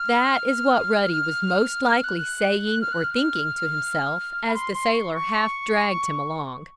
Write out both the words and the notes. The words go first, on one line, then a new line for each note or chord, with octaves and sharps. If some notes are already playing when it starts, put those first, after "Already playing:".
That is what Ruddy was most likely saying or thinking to himself as the sailor half dragged him along.
Already playing: F6
F#6
F6
F#6
F6
B5
C6
C6
C#6
C#6